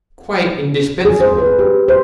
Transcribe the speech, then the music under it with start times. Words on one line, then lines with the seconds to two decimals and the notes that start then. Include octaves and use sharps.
"Quite indispensable."
1.05 G#4
1.20 C5
1.38 B4
1.59 G4
1.88 C5